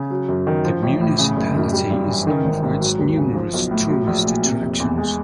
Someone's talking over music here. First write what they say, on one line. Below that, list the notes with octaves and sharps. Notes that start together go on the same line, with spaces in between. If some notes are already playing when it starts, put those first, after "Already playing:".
The municipality is known for its numerous tourist attractions.
Already playing: C#3
F#3
F#2
D#3
F3
A1
A2
C#3
F#1
F#2
G3
G2
E3
D#3
G#1
G#2
F#3
D#2
C#3
F3
B1
A2
F#3
A#1
A#2
C3
F1
E2
G#3